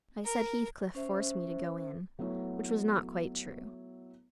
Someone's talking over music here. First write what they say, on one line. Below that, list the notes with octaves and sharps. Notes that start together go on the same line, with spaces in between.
I said Heathcliff forced me to go in: which was not quite true.
A#4
C#4 C5 E5
F#3 A3 B3 E4 C#5 E5